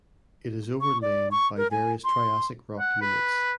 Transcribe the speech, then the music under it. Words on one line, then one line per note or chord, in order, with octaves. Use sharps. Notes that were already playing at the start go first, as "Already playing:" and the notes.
It is overlain by various Triassic rock units.
C#6
D5
C#6
A#4
G#5
C6
F#5
B4